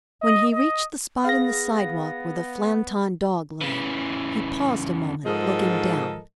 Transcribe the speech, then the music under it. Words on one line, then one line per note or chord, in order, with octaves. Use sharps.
When he reached the spot in the sidewalk where the Flanton Dog lay, he paused a moment looking down.
D#5
D#5
B3 G#4 F5 A#6
C#3 E3
G#2 F3 G#3 A4 A#4 D#5